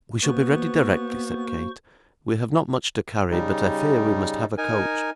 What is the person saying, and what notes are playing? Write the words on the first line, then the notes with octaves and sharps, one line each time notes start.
'We shall be ready directly,' said Kate. 'We have not much to carry, but I fear we must have a coach.'
A#3 B3 F#4 C5 C#6
C#3 G3 D#4
D#4 A#4 G#5